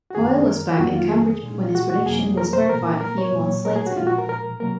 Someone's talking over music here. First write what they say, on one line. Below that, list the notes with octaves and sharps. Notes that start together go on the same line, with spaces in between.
Hoyle was back in Cambridge when his prediction was verified a few months later.
F#4
F#2 D#3 G#3 G#4
A#4
F4
F2 D#3 F#3 A#3 F#4
F4
G#4
A#2 G#3
F4
F#4
F#4
F2 C3 F#3 A#3 G#4
A#4
C5
A#2 F3 A#3 A#4
A#4
C#5
A#2 F#3 A#3
A#4
G#4
F#4
A#2 F3 G#3 F4
F#4
A#4
A#4
C3 F#3 A#3 A#4